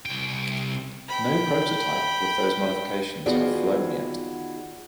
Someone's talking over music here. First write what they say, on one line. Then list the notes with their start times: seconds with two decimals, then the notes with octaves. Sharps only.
No prototype with those modifications have flown yet.
0.06 C2 G5
1.08 G5 B5
3.26 D#3 B3 F4 F#4 G#4 D5